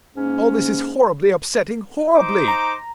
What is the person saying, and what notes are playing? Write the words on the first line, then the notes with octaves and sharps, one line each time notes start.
All this is horribly upsetting, horribly.
G#2 A#3 C#4
D#4 C5 D6
A#5